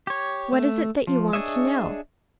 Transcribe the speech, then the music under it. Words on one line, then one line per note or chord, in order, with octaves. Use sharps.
What is it that you want to know?
G4 C#5
A3
F3
D4 G#4 C#5 D#5 E5